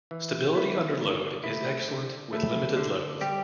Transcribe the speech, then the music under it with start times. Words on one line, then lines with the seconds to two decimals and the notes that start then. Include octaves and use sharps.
Stability under load is excellent with limited loads.
0.11 E3
0.55 B3 E4
0.99 D3
1.43 A3 E4
1.88 D3
2.33 A3 E4
2.76 D3
3.21 G3 C4 G4